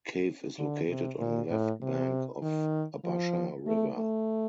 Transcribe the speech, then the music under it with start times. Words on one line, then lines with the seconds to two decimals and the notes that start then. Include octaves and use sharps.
Cave is located on left bank of Abasha river.
0.58 D3
0.89 C3
1.19 A#2
1.50 A2
1.82 C3
2.42 D#3
3.04 F3
3.66 A3
3.97 A3